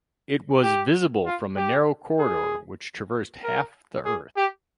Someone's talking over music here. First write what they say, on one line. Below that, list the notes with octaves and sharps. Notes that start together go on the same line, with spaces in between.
It was visible from a narrow corridor which traversed half the Earth.
G4
F4
G4
G#4
A#4
G#4
G4